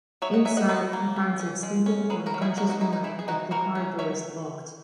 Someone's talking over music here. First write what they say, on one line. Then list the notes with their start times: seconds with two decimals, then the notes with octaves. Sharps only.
Inside he finds a sleeping or unconscious woman with the car doors locked.
0.22 F#3 C#5 E5
0.34 D#5 F#5
0.45 F#3 E5 G#5
0.57 D#5 F#5
0.69 F#3 B4 D#5
0.93 A#3
1.16 C#4
1.40 C#4
1.63 G#3
1.86 C#4
2.10 F#3 G#4 B4
2.26 F#4 A#4
2.34 F#3
2.41 E4 G#4
2.57 F#3 F#4 A#4
2.69 D#4 F#4
2.81 D#4 E4
2.93 D#4
3.04 E3 E4
3.19 G#4
3.28 E3 D#4 F#4
3.51 E3 F#4 A#4
3.75 C#4
3.99 F#3 C#5 E5